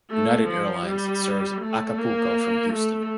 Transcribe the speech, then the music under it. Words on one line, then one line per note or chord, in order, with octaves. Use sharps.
United Airlines serves Acapulco from Houston.
A3
F3
G3
A3
A#3
A3